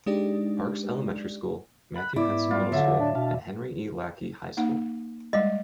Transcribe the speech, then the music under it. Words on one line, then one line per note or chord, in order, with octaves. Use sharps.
Parks Elementary School, Matthew Henson Middle School and Henry E. Lackey High School.
G#3 D4 D#4 G4 D5
B5 F#6
G#2 B3 E4 D5
G3 F4
D3 F#3 E5
A2 D3 D4
B2 D4 F5 A5
A#3 D#4 F#5
G3 G#3 D#5 F5 F#5